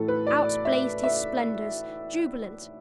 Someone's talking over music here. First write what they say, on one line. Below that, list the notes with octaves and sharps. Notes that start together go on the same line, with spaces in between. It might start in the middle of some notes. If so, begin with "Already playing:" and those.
Out blazed his splendors--jubilant.
Already playing: A2 E3 A4
B4
D5
E5
E5